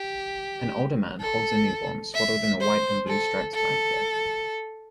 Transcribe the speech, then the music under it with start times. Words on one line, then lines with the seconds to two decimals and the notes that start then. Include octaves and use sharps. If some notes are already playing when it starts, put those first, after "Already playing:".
An older man holds a newborn swaddled in a white and blue striped blanket.
Already playing: G4
1.21 A4
2.14 E5
2.60 C5
3.08 A4
3.54 A4